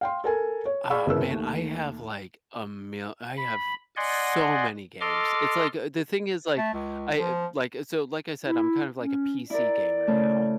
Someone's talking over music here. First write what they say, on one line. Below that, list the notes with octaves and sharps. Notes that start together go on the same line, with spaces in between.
Uh, man, I have, like, a mil I have so many games. It's, like, a the thing is, like, I, like, so, like, I said, I'm kind of, like, a PC gamer now,
F5 G5 C6
A4 A#4 G#5
C#5
G#4 D5 F5 B5 C#6 E6
G1 C#3 E3 A#4 B4 E6
D#2 A3
B5
D5 D#5 F#5 G#5 C6
A4 D#5 C6 D6 F6
A3
C#2
F3
E4
C#4
E4 A#4 D5
C#3 A3